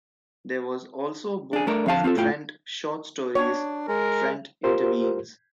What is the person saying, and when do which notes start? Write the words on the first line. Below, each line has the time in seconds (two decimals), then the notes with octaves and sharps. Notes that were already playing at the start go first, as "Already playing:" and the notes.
There was also a book of Trent short stories, "Trent Intervenes".
1.53 D4 G#4
1.67 A3 D4 A#4
1.86 F2 D3 F5 A5
2.04 C4 F4 G4 A4
2.17 A2 F4 G5
3.35 D4 C#5
3.88 G#3 A#4
4.63 F4 G4 A#4 C5